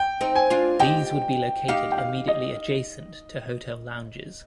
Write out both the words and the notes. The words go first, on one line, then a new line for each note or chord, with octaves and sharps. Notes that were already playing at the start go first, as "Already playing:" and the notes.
These would be located immediately adjacent to hotel lounges.
Already playing: G5
C4 D#4
G#5
D4 F4
D#4 G4 G5
D#4 G4 F5
G5
F5
D#5